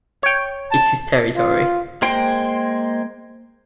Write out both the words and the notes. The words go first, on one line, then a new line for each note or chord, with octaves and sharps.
It's his territory.
C#5 G5
A5
F4
G#3 A#3 C5 G5 C6